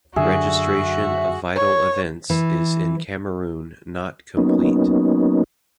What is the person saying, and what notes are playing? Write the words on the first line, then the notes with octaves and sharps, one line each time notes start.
Registration of vital events is in Cameroon not complete.
F#2 D3 F#4 G#4 E5
C#5
E3
F#3 A#3 B3 C#4 D#4